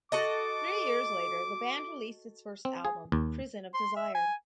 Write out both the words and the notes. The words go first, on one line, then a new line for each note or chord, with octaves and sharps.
Three years later the band released its first album, "Prison of Desire".
F#4 A4 D#5 D6
C4
G#4
D#2
C6
E5
G#5